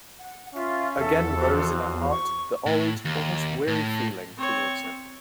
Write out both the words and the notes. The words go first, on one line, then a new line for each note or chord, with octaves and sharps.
Again rose in her heart the old, almost weary feeling towards him.
F#5
C#4 F4 E5
E2 A4 E5 F#5
F2 F#4 C5
C#6
A2
D#2
A2
C4 C#5